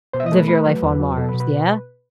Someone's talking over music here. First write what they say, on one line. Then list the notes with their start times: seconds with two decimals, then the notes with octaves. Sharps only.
live your life on Mars. Yeah?
0.13 B2 C5
0.20 E5
0.26 D#5
0.32 A3
0.37 B4
0.48 A3 B4
0.66 F#3
0.83 E2
1.00 F#3
1.17 B2 A4
1.29 B4
1.34 B2
1.40 B4